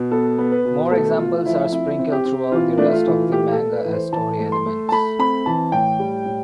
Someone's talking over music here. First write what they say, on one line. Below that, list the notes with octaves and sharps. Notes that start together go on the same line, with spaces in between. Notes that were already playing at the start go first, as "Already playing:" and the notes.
More examples are sprinkled throughout the rest of the manga as story elements.
Already playing: B2
B3 A4
B3
B4
B2
A3 A4
A3 F4
F3 E4
C4 E4
C4
G4
C4
E3 F4
A3 D4
E4
F4
E3
A3 G4
A4
A3
B4
E3
C5
E3 A5
A3
C6
A3
A5
A3 B5
C4 B5
E3 A5
A2 G5
G3
A2